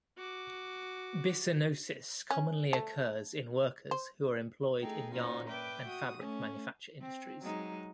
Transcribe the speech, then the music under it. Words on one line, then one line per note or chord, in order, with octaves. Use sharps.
Byssinosis commonly occurs in workers who are employed in yarn and fabric manufacture industries.
F#4 D6
C#4
A3
C5
A3 D#4 G#4 A4 G5
A#2 C#4 D#4 F4 F#4 C5
B4 E5 G5 D6
F#4 D#6
A3 C#4
C4
F#3 G#3 D#4